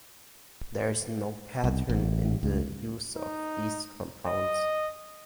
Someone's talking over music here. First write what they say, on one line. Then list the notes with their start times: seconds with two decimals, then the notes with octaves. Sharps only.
There is no pattern in the use of these compounds.
1.64 C2
1.89 A1
2.43 C#2
3.17 D#4
4.27 D#5